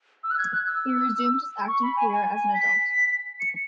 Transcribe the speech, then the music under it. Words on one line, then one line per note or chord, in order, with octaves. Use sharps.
He resumed his acting career as an adult.
E6
F#6
G#6
F#6
E6
C#6
B5
G#5
G#5
G#5
B6
C#7